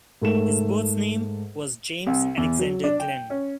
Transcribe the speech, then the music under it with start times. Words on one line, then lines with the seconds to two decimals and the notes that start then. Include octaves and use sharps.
His birth name was James Alexander Glenn.
0.22 G#2 A3 A#4 E7
2.07 C2
2.37 E2
2.59 F#3
2.84 D4
3.00 G5
3.30 C#4